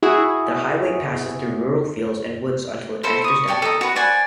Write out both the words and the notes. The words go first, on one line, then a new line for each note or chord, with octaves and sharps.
The highway passes through rural fields and woods until it enters downtown.
E4 F#4 G#4
E4 A4 C5 B5
C#6 D#6
C#5 D5 G5 A5
A4 D#5 A#5
F#4 B4
C5 D5 F#5 G#5